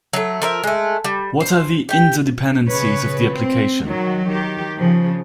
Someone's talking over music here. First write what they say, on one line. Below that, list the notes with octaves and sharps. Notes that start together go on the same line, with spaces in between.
What are the interdependencies of the application?
F#3 A3
F3 A#4 E5
G#3 A3
G3
C5
G4 G5
C#3 B4 C#5
C4
D#3 F#3 F#4
D#3 G4
C#3 F3